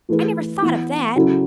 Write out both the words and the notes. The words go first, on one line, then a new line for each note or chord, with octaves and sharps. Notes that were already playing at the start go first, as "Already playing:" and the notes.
I never thought of that.
E3 A3 E4 G#4 B4
E3 B3 E4
C#3 F#3 C#4 E4 A4